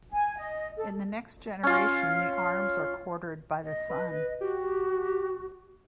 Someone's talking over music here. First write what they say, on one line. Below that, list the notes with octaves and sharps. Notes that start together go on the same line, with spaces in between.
In the next generation the arms are quartered by the son.
G#5
D#5
A4
C#4 F4
D#5
B4
F#4 G4